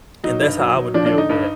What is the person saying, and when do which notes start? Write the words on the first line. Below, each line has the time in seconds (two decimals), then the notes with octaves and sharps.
and that's how I would deal with that.
0.24 F#3 D#4
0.41 G2
0.59 F#3
0.76 F#3
0.94 F3 D4
1.06 D4
1.12 D3
1.18 D#4
1.29 G2